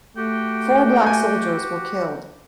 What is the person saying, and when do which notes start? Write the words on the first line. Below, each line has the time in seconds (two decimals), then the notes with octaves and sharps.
Four black soldiers were killed.
0.17 A3 F#4 G4 G5
1.06 G#5